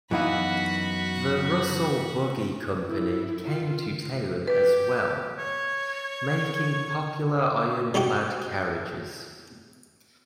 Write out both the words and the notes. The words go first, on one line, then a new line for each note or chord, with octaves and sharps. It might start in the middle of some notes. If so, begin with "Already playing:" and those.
The Russell Buggy Company came to town as well, making popular ironclad carriages.
F#2 E3 B3 D#4 F#4 F5 B5
E4
F4
G4 B4
C#5
G3 D#4 E4 F#4 G4